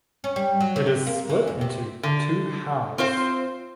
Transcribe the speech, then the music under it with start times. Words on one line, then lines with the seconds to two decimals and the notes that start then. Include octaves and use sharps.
It is split into two halves.
0.24 C#4
0.36 G3
0.60 F#3
0.76 C3
1.07 A#3
1.29 E3
1.47 E2
1.61 C3
2.03 D3
2.98 C4 F4 C5